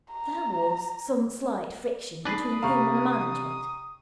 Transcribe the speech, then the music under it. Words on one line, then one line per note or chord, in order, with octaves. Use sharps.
'There was some slight friction between him and the management.
A#5
D4 D#4 B4 D#6 C7
C3 F5 A#5 C#6